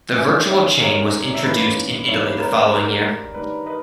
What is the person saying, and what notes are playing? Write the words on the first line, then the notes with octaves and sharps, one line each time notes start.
The virtual chain was introduced in Italy the following year.
G2 D#3 G3 C#4 E5 G#5
C#5 E5
G2 D#3 G3 C#4 A#4 C#5
E5
G#2 E3 A#3 C#4 B4 D#5
G#2 E3 A#3 C#4 C#5 E5
B4
A#4 C#5
B4
G2 D#3 G3 A#4
A#4
G2 D#3 G3 B4
B4 D#5